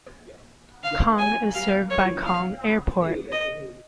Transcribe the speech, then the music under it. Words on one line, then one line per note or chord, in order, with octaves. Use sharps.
Kang is served by Kang Airport.
F5
G#5
F5
C#5
F5
D#5